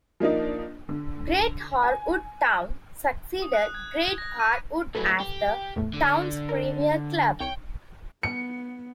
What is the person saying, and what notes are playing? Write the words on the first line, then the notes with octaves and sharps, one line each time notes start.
Great Harwood Town succeeded Great Harwood as the town's premier club.
F3 A#3 D4 D#4
D3
G#5
D#6
F#6
G#6
A#6
D#7
D2 F#3 A4 B4 G#5
G4
E2 A2 A3
D3
A#4
C2 C#5 G5 C#7
B3 C#7